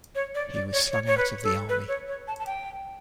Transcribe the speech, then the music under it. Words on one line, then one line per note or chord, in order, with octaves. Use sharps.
He was slung out of the army.
C#5
D5
D5
C#5
C#5
C#5
B4
A4
B4
C#5
C#5
A5
A5
G5